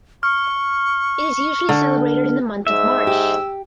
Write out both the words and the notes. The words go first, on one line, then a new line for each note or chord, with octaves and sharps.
It is usually celebrated in the month of March.
C#6 F6
D3
G#2 E5 E6
G4